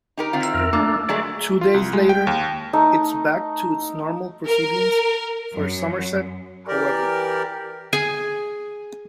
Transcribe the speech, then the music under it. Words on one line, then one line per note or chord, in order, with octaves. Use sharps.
Two days later, it was back to normal proceedings for Somerset, however.
D#4 G4 A#4
D#3 C4 F4
F2 A#4
A3 A#3 D4
F#3 G#3 A3 D5
F4
C2
G#3
G5
D#2
A3 D#4
A#4
F#2
E3 G4 A#4 D5
G#4 G#5